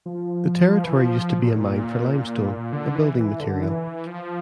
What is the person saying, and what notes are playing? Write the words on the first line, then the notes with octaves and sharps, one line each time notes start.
The territory used to be a mine for limestone, a building material.
F3
E3
F3
A#2
A2
A#2
D3
E3
E3
D3
E3
F3